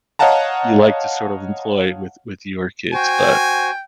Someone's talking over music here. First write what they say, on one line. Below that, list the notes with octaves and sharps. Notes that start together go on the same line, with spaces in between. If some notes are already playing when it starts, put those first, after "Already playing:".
you like to sort of employ with with your kids, but
C#5 D#5 F5 F#5 A5 A#5
F#4 C5 G5 G#5